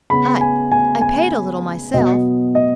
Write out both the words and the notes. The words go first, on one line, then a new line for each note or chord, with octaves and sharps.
I--I paint a little myself.'
C#3 B3 B5
G#5
G#5
G#5
B2 F#3 B3 D#5
D#5